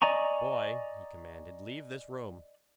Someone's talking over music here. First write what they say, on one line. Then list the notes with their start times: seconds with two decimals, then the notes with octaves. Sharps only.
"Boy," he commanded, "leave this room!"
0.02 D5 D#5 G#5 A#5 C#6